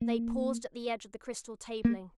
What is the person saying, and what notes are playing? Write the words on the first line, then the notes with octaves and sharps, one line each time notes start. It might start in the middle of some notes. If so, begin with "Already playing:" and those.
They paused at the edge of the crystal tabling.
A#3
A#3